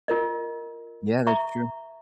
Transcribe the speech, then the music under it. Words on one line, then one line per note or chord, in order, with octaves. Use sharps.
Yeah, that's true.
F4 A#4 D#5
E5 A#5 C#6